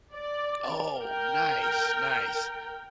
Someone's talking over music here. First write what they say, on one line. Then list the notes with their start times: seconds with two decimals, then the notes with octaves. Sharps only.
Oh, nice, nice.
0.13 D5
0.99 A#4 G5